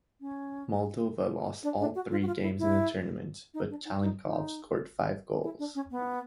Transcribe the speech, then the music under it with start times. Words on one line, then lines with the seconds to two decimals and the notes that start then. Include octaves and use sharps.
Moldova lost all three games in the tournament, but Calincov scored five goals.
0.21 C#4
1.63 D4
1.80 D4
1.95 F#4
2.11 F4
2.22 F#4
2.27 F4
2.42 E4
2.59 E4
3.54 D#4
3.70 D4
3.85 D#4
4.01 D#4
4.25 D#4
5.43 E4
5.59 D4
5.75 C#4
5.91 B3